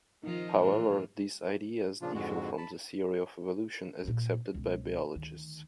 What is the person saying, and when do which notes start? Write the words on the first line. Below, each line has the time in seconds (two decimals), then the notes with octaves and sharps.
However, these ideas differ from the theory of evolution as accepted by biologists.
0.23 D#3 F3 D#4 F4 D#5
0.57 A2 E3 F4
2.02 A#2 C#3 F3 D4 F4
2.14 F2 G#2 D3 G#3 F#4
2.58 A5 B5
4.04 A#2 A#3
4.55 C#2 B2
5.15 D2 D#3